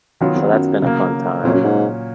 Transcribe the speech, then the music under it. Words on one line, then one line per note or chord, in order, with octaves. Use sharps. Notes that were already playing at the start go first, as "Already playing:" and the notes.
And so that's been a fun time, and,
F#2 D#3 F#3 B3 F4
F2
F#2
C#3 F#3 A#3
F2 A#2 F#3 C#4
F#2
G#2